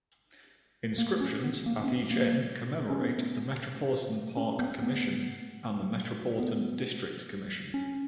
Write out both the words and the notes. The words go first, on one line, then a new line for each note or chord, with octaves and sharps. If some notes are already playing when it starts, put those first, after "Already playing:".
Inscriptions at each end commemorate the Metropolitan Park Commission and the Metropolitan District Commission.
A#3
C#4
B3
A#3
C#4
B3
A#3
C#4
B3
C#4
B3
B3
B3
C#4